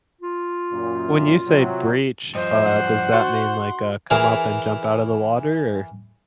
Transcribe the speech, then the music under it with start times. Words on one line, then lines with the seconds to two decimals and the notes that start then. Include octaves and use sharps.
When you say "breach," uh, does that mean, like, uh, come up and jump out of the water, or
0.22 F4
0.73 F#2 A#2
1.47 C3 F#3
2.35 G2 F3 C5 D#5
2.65 D4 F#5
3.13 F#4 C6 C#6 A6
4.10 E3 E4 G#4 A#4